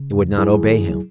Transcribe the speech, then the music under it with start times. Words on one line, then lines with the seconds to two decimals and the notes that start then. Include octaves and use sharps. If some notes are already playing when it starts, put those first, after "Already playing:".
It would not obey him.
Already playing: C#3
0.16 E2
0.37 F#3 E4 G#4
0.59 D#3
0.81 F#3